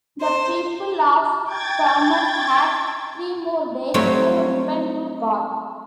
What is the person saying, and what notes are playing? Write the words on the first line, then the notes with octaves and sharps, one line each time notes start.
The people of Thamud had three more days to repent to God.
C5
G5 G#6 A6
F#3 G3 A3 C4 F4 C#5